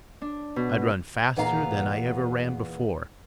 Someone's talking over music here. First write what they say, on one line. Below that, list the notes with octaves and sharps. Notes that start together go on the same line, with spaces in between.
I'd run faster than I ever ran before.
D4
B2
E2 A#2 B3 F5 A5 A#5